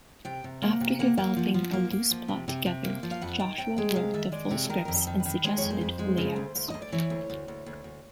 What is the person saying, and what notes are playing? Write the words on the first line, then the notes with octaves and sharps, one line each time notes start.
After developing a loose plot together, Joshua wrote the full scripts and suggested layouts.
C3 G5
C3
A#3 F#5
C3
A#3 F#5
A#3
F3
F3
A#3
A#3
F3
C3
C3
C3
A#3
F3
F5
F2 F#5
D#3 G5
C3 G5
G#3 G5
C3 F5
D#3 E5
G#3 D5
C3
A4
D#3 A#4
F2 A#4
A4
D#3
B4
D#3
G#3 C5
F2 C#5
C5
F2
G#3
C#3
D2
D2
D2 D#5
D5
E3 C#5
D2
D2
D2
D2
D2